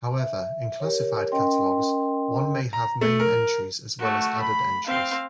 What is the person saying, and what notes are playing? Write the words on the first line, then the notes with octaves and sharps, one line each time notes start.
However, in classified catalogs one may have main entries as well as added entries.
E5
G4 A#4 C#5
C#4 A#4 D#5 G5 C6
A#5
A3
A#4
A3 F#4
B5
C4 F5